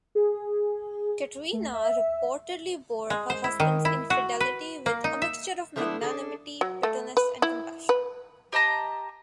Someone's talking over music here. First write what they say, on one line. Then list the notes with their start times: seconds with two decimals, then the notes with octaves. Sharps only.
Katerina reportedly bore her husband's infidelity "with a mixture of magnanimity, bitterness, and compassion".
0.15 G#4
1.53 A3
1.73 E5
3.10 G#3
3.30 C5
3.44 E4
3.60 D#3
3.85 E4
4.10 F#4
4.40 B4
4.86 A#3
5.04 D#4
5.22 E5
5.76 F3 A3 B3 C#4 D4 E4
6.01 D4 G#4 A4
6.61 F#3
6.83 A3
7.17 B4
7.42 E4
7.89 B4
8.52 G4 D#5 A5 A#5